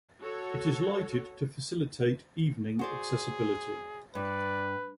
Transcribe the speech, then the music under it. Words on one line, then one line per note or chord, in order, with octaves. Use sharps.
It is lighted to facilitate evening accessibility.
F#4 A4 C#5
F#4 G#4 C5 D5
G2 B4 D5